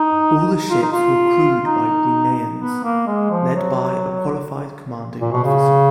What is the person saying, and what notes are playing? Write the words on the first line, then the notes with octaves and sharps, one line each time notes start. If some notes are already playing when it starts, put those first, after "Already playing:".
All the ships were crewed by Bruneians, led by a qualified commanding officer.
Already playing: D#4
F4
D#4
F4
D#4
B3
A#3
G#3
F3
F#3
A#2
B2
C#3